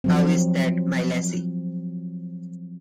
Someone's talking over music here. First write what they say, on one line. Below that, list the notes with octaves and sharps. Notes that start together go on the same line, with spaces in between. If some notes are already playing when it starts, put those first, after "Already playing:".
How is that, my lassie?
F3 F#3 C4